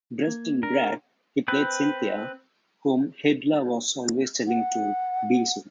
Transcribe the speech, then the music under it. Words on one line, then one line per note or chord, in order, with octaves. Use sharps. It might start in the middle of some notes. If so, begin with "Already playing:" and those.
Dressed in drag, he played Cynthia, whom Hylda was always telling to "be soon".
A#3 G#6
D4 A#4
C4 B4
F#5